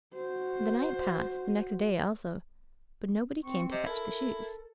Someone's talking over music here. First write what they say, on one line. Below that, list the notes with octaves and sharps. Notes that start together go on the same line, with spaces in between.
The night passed, the next day also; but nobody came to fetch the Shoes.
F#4 C5
C4 C#6
C3 D#5
E4 A4 A#4